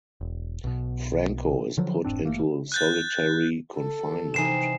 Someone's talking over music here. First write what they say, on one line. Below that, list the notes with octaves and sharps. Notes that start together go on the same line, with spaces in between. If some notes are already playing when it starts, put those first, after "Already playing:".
Franco is put into solitary confinement.
E1
B1 B2
D3 F3 F#3
F1 G#2 C4 D4
F#1 E2 A3 A#3
F#6 G6 A6
A4
C3 E3 D#4 G#5 C7 E7